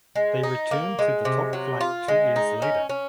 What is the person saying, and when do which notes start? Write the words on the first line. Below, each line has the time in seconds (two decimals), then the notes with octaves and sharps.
They returned to the top flight two years later.
0.16 G#3
0.43 D#4
0.71 A#3
0.99 G#3
1.25 C3
1.53 F#3
1.81 F4
2.08 G#3
2.36 D#4
2.62 C#4
2.89 C#4